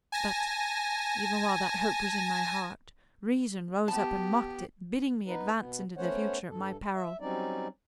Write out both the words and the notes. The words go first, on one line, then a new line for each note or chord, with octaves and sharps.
But, even while that hope was in my heart, reason rose up and mocked it, bidding me advance into the Future at my peril.
G#5 A5 A#6
B3 G4 A5
B3 D#4 B4
B2 B3
A3 B3 C#4 C5 C#5 F#5
G2 A4
E5
F#3 G3 C4 C#4 D#4 D5